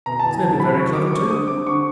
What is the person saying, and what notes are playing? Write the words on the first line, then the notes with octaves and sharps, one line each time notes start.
This may be very clever too.
B2 A#5
E2 A5
G#5
E2 A5
F#3 B5
F#3 C#6
F#3 D6
D6
C4 C#6
D3 D#6
C4 D6
D3 C#6